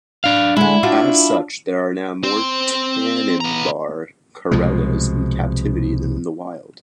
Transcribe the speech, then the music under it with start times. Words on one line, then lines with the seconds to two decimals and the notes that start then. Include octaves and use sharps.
As such, there are now more Tanimbar corellas in captivity than in the wild.
0.24 D4 F5
0.57 D3 G#3 E4
0.83 D4 F4 F#4
2.23 C4 C5
3.40 B3 A#5
4.51 C2 B2 F3 G#3